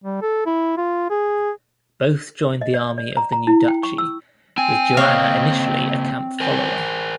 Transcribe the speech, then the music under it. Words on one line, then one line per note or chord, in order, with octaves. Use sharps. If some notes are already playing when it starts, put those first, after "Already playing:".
Both joined the army of the new Duchy, with Joanna initially a camp-follower.
G3
A4
E4
F4
G#4
D#5
D5
D5
A#5
A#5
E4
G5
C#6
E6
C4 G5 G#5
C#3 A#3 C5 C#5 D#5 F5
A#4 C5 G#5